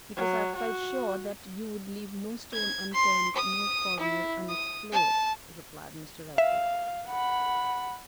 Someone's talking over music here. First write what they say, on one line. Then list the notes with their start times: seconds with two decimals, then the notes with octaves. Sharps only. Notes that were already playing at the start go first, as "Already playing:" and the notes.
"Because I felt sure that you would leave no stone unturned, no corner unexplored," replied Mr. Elphick.
0.16 F#3
0.56 F#4
2.53 G#6
2.93 C6
3.35 D#6
4.00 E4
4.49 D#6
4.92 A5
6.38 E5 F5
7.07 F#5 B5